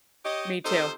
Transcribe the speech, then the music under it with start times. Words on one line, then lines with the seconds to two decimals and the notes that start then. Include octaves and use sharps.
me too,
0.24 G4 C#5 D#5
0.65 C3 F3 D#4 A4 C5